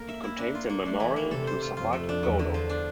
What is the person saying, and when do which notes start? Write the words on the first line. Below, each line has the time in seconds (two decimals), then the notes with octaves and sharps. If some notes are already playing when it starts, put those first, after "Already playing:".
It contains a memorial to Sawaki Kodo.
Already playing: A#3 A#4
0.08 E5
0.24 E4
0.39 D4
0.55 F4
0.69 A#3
0.85 A3 D4
1.00 E3
1.16 A#3
1.31 C3 A4
1.47 C5
1.62 F4
1.77 F2 F4
1.93 A3
2.09 D4
2.23 E2 A3
2.39 D3
2.54 F3
2.69 D4